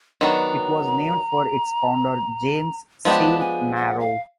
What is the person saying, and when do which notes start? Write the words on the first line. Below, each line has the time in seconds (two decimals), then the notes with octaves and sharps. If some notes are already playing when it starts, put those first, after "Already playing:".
It was named for its founder, James C. Morrow.
0.21 D#3 F#3 B3 D4 A#5
3.05 F3 G#3 B3 D4 G4 A5
3.40 G#5
3.76 F#5
4.00 F5